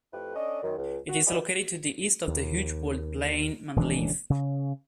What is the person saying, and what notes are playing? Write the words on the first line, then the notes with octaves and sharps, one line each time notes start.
It is located to the east of the huge walled plain Mendeleev.
F2 A3 E4 G4 B4
C#4 D4 A4 D5 D#5
F#2 D#3
C#2
F#4
E4 F#4 G#4 B4 D5 D#5
D#2
D#1 C#2 E3 D4
C#3